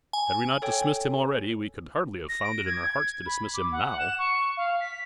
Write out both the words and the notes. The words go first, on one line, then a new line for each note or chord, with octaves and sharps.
Had we not dismissed him already, we could hardly have found it in our hearts to dismiss him now.
G#5
A4 C#5 G5
A#6
D7
G#6
G#6
B5
D6
F#5
E7
C#6
F5
B6